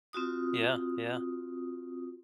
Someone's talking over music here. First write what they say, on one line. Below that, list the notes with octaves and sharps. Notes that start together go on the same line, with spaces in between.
Yeah yeah.
C4 F4 F#4 D#6